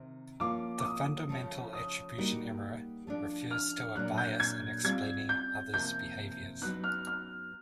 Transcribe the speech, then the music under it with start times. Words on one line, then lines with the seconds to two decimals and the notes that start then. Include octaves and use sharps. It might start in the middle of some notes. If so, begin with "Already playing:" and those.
The fundamental attribution error refers to a bias in explaining others' behaviors.
Already playing: C3 D#3
0.40 F3 A#3 C#4 F4 D6
0.80 D6
0.85 D#6
1.29 C#3 F3 A3
1.73 D#6
2.18 G3 A#3 D#4 F#4
3.07 F3 A3 D4
3.51 F6
3.95 A#2 F#3 A3 D4 F#6
4.18 G6
4.40 G#6
4.84 G3 C4 F4 G#6
5.29 G6
5.73 C3 F3 A#3 G6
6.62 F#3 B3 D#4 F#6
6.84 F6
7.07 F6